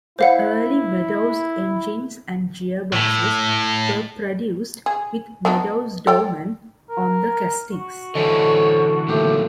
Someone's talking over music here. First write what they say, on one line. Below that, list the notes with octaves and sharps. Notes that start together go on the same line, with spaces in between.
The early Meadows engines and gearboxes were produced with Meadows-Dorman on the castings.
E4 C5 F5 F#5
A2
G#4
B3 D4 D#4
A4 D5 G5
A#4
F#4
D3 E3 A4 C5 C#5 D#5
A#2 D#3 F#3 A3 G4